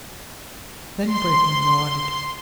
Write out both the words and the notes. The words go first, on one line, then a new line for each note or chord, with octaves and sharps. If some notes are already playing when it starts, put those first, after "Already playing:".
Then Breton nodded.
C6